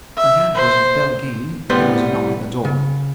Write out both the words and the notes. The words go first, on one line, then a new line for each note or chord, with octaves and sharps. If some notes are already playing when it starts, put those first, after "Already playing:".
My hand was on the bell again, when there was a knock at the door.
E5
C5
C2 A2 G3 B3 C5 C6
C#3